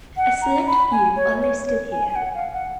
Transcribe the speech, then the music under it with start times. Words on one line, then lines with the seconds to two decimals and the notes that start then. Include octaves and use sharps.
A select few are listed here.
0.17 F#5
0.42 A#5
0.67 B5
0.91 G#5
1.16 C#5
1.42 C#5
1.67 C#5
1.91 G#5
2.09 G#5
2.16 F#5
2.35 F5
2.53 F#5